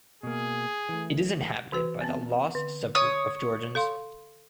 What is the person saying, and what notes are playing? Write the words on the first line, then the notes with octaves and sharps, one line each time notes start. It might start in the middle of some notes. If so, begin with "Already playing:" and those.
It is inhabited by the Laz subgroup of Georgians.
B2 A#3 G#4
E3 A3
E3 F#4 B4
B3 C4
D3
C#5 D#6
A4 F5 C6